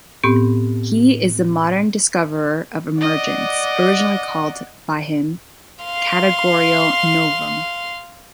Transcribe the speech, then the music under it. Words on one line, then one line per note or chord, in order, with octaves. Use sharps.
He is the modern discoverer of emergence - originally called by him "categorial novum".
A2 B3 C4 G4
D5 D#5 F#5
F5 C6